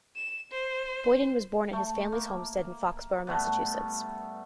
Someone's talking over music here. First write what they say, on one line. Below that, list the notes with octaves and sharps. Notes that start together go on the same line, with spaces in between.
Boyden was born at his family's homestead in Foxboro, Massachusetts.
E7
C5
A3
A#3
G2 A3 B3